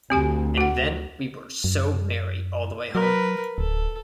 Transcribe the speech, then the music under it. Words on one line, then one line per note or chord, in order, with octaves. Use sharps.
And then we were so merry all the way home!
D2 C4 G4 G#5
F#4 F#5
F#2
F#3 A#4 B4
D1 A4